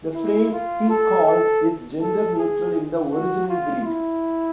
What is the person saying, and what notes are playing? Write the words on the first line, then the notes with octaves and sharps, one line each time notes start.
The phrase "he called" is gender neutral in the original Greek.
E4
F4
A4
A4
A4
G#4
F#4
F4
E4